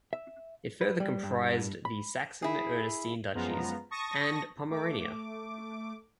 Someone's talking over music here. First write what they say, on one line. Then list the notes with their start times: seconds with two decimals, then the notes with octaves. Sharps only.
It further comprised the Saxon Ernestine duchies and Pomerania.
0.13 E5
0.81 B4
1.00 G3
1.23 G2
1.85 B5
2.42 E4 G#4
3.34 F#2 F3 G#3 B3 F4 A#5
3.91 A5 C#6 D#6 A#6
4.70 A3 D6